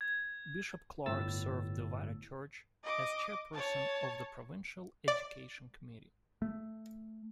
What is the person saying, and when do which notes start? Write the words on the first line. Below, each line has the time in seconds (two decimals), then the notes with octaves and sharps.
Bishop Clarke served the wider church as chairperson of the Provincial Education Committee.
0.01 G#6
1.06 G1 A2 E6 A6
2.84 D#5 D6
3.53 C#5 A5
5.08 D5
6.42 A3